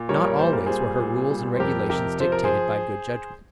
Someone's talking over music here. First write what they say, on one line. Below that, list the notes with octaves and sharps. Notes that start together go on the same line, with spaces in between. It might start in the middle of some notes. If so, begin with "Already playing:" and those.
Not always were her rules and regulations dictated by good judgment.
Already playing: A#2
G3 A#4 C#5
A#4 C#5
A#2 C5
A#4
G3 G#4 C5
A#2
G3
C5
F2 G4 A#4
C3 G4 A#4
F3 C5
A#4
G#4 C5